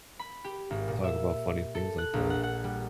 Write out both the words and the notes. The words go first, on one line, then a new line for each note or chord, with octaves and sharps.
talk about funny things like that.
B5
G4
G#1
A#2
E5
A4
F#6
A#1
F#5
F#5
G3